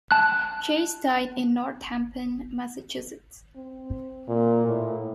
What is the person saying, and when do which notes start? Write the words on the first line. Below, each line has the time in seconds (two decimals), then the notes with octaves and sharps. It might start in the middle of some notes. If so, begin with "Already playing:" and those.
Chase died in Northampton, Massachusetts.
0.11 A5 F#6
3.55 C4
4.28 A#2
4.67 A2